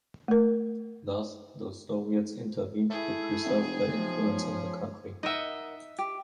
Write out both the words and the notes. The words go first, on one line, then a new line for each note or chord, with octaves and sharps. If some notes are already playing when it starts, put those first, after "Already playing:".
Thus, the Soviets intervened to preserve their influence in the country.
A3 A#4
A3 E4 G#4
F1
B1 C3 F3
C#4
D#4 A#4 D#5 E5 F#5
G4